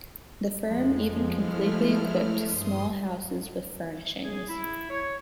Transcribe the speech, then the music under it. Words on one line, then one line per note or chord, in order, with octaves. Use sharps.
The firm even completely equipped small houses with furnishings.
F2 F3 G#3
A3 E4 F6
G2 C6 D#6
G#4
E4
C#5